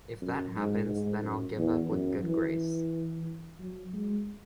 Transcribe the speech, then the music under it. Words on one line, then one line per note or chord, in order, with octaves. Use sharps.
If that happens then I'll give up with good grace.
F#2
G#2
G#2
F#2
E2
F#2
E3
F#3
G#3